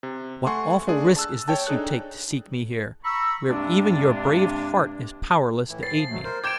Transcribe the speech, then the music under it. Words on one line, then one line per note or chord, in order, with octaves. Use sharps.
"What awful risk is this you take to seek me here, where even your brave heart is powerless to aid me."
C3
A3 F#5 G#5 C6 C#6
A3 D4 G#4 D5
A5 E6 F#6
C#5 G5 A5
D4 D#4 G#4 A4 F#6
A#5 B5 C#6 E6
G2 C3 G#3 A#3 C4 D4
A2 E3 E4
A6 C7
F3
B2 F#3 A3
A#4 C5
G5 D6 G6 G#6 D7 E7